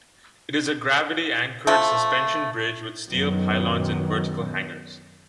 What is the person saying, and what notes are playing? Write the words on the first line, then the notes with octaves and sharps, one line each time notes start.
It is a gravity-anchored suspension bridge with steel pylons and vertical hangers.
F3 A3
F#2 D#3 F#3 B3